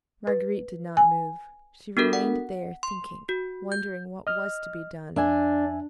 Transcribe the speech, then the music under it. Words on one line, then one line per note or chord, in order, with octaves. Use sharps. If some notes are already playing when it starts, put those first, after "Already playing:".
Marguerite did not move, she remained there, thinking . . . wondering what was to be done.
B4
G#5
B3 D4 F#4 A4 A#4
F#5
C6
F#4
G6
D#5 F6
F2 D4 E5 G#5